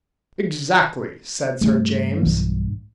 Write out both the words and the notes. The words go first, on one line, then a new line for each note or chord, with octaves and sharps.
"Exactly," said Sir James.
G2 G3 A3
B1 E3 A#3